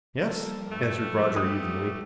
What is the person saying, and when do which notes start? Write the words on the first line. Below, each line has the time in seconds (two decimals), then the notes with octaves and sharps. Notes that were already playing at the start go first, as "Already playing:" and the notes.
"Yes," answered Roger evenly.
0.18 F3 G3 A#3 A4 A#4
0.71 G2 A3
1.36 A3 F#4 G4 B4 D#6